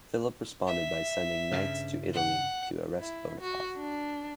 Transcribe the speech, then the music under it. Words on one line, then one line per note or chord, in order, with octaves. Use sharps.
Philip responded by sending knights to Italy to arrest Boniface.
E5
G2 C#3
F#5
E4
F#4
D4